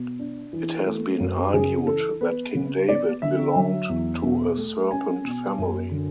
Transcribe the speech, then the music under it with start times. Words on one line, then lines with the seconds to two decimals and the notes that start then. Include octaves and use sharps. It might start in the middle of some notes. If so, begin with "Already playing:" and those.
It has been argued that King David belonged to a serpent family.
Already playing: B2
0.19 D4
0.53 E3
0.86 A3
1.20 F#2
1.54 C#3 G#4
1.87 E3 A4
2.21 B3 B4
2.55 C#3
2.88 B3 D5
3.22 D3 E5
3.56 F#3
3.89 E2
4.24 B2
4.57 A3
4.91 C#4 G#5
5.25 B2
5.58 F#2
5.91 D3